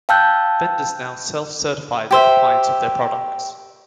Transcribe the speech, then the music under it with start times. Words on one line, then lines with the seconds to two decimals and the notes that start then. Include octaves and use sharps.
Vendors now self-certify the compliance of their products.
0.09 F5 G5 A5 E6 F#6 G6
2.11 G4 C5 E5